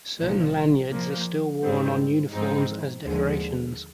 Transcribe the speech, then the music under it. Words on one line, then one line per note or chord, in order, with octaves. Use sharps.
Certain lanyards are still worn on uniforms as decorations.
C2 A#2 F3
A#2 F3 A#3
G#2 D#3 G3 C4
G#2 F3 G#3 C4 D#4
D#2 D3 F3 G#3